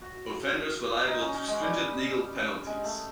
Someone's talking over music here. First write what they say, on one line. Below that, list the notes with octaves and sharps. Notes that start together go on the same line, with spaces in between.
Offenders were liable to stringent legal penalties.
F#4
D#4
C#4
C#4
G#3
G3
G#3
A3